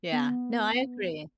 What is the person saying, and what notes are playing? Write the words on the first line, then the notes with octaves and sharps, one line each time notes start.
Yeah, no, I agree.
B3